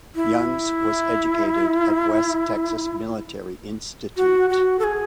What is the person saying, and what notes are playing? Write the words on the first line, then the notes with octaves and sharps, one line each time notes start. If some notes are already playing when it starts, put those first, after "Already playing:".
Youngs was educated at West Texas Military Institute.
E4
F#4
F#4
A4
G#4